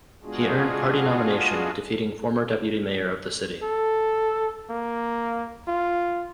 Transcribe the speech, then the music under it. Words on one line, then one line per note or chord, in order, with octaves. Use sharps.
He earned party nomination defeating former deputy mayor of the city.
G#3 B3 D4 F4 F#4 G#4
A4
A#3
F4